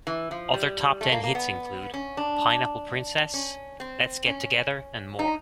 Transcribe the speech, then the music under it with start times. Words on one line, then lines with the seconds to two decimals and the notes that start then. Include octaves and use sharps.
Other top-ten hits include, "Pineapple Princess", "Let's Get Together" and more.
0.07 E3
0.31 F3
0.54 G3
1.01 A3
1.12 A#3
1.23 A#3
1.35 B3
1.94 C#4
2.17 D4
3.34 C#4
3.80 C4
4.26 C#4
5.19 D#4